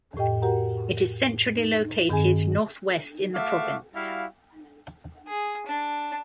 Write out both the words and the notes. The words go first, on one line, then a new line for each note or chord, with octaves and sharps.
It is centrally located north-west in the province.
F2 A2 G4 D#5 G5
F#4 G4 A#4 F#5 A#5
D#4
G2 D#3 C4 G#4 G#5
A3 F#4 E5 F5 D6
G3 E4 F#4 F5
G#4
D4